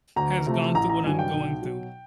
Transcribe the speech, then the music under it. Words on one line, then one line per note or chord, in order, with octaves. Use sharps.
has gone through what I'm going through.
D2 A#5
C3 F3 A3
A1 A#5
A#5
G2 D#3 F#3 G#5
G5
B1
B2 F#3